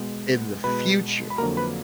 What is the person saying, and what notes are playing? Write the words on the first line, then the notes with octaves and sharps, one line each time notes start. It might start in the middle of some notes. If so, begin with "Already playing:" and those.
in the future
Already playing: B2 G#3 B3
B2 G#3 B3 B4 B5
B5
F2 D3 F#3 A#3 A#4 A#5
B4 B5